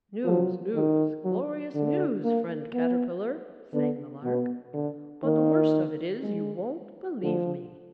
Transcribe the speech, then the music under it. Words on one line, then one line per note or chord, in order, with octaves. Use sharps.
"News, news, glorious news, friend Caterpillar!" sang the Lark; "but the worst of it is, you won't believe me!"
F3 F#3
D#3
F#3
D3
A#3
B3
D3 B3
B2 B3
D3
D#3 A#3
G#3
D3 F3